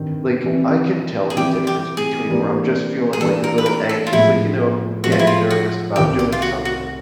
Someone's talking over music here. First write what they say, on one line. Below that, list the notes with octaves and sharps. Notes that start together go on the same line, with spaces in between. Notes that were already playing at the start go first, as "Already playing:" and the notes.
Like, I can tell the difference between where I'm just feeling, like, a little anxious, like, you know, I'm getting nervous about doing something
Already playing: G2 D#3 C4
C3 E3 G3 C4 E4
G#4
C3 E3 G3 C4 E4 G4
G4
G#4
E3 G3 A#3 D4
G#4
E3 G3 A#3 D4 A4
A#4
B4
A#4
A4
F4
A2 F3 G#3 E4
A2 F3 G#3 F#4
F4
E4
F4
F#4
C2 C3 D#3 G4
G4
F4
F#4
F#4